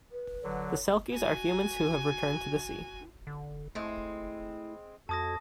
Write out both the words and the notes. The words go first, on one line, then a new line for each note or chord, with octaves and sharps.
The selkies are humans who have returned to the sea.
B4
D3 F#3
F#4 G#5
D3
G#3 A3 C4 E4
F2 F#4 A4 A5 D#6 G#6 A#6